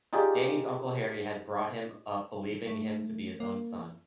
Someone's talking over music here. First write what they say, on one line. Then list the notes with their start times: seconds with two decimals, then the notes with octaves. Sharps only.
Danny's Uncle Harry had brought him up believing him to be his own son.
0.13 D#4 F4 G4 G#4 D5
2.67 A3
3.40 A#3